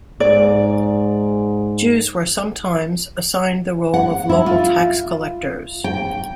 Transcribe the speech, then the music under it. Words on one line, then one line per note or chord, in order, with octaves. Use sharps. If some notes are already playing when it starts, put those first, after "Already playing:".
Jews were sometimes assigned the role of local tax collectors.
G#2 D5
F#5
E4
F4
G5